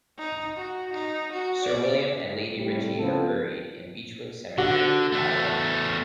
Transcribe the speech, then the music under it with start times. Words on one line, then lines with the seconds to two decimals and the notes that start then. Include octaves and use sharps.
Sir William and Lady Ritchie are buried in Beechwood Cemetery, Ottawa.
0.17 D#4
0.57 F#4
0.94 D#4
1.33 F#4
1.64 D5
2.57 A2 C3 G3
2.98 C#2 C#3 F3 B3 C4 A4
4.58 D3 F#4
5.12 E2 A3